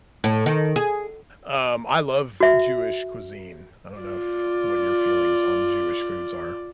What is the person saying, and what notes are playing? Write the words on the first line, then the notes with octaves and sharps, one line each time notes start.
Um, I love Jewish cuisine. I don't know if what your feelings on Jewish foods are.
A2
D#3
G#4
F#4 E5
F4 D5